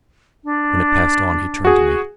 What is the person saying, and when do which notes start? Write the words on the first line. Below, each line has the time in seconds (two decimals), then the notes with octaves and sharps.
When it passed on, he turned to me.
0.44 D4
1.65 F#4 G#4